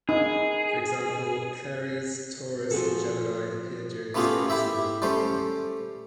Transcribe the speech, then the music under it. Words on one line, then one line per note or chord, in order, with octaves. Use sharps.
For example, Aries, Taurus, and Gemini appear during the spring season.
D#4 G#4
F3 F#4 G#4 A4
A3 B3 C#4 F4 G4 G#4
E4 G4 E5
G3 A3 C#4 C5